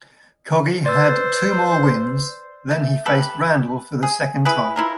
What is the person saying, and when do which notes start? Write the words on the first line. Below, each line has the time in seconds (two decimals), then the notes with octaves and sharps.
Coggi had two more wins, then he faced Randall for the second time.
0.86 B4 C5 D5 E6
2.71 A3
3.06 G4 A4 B4
4.03 G#4
4.45 E4 G#4 B4
4.76 E4 F4 A#4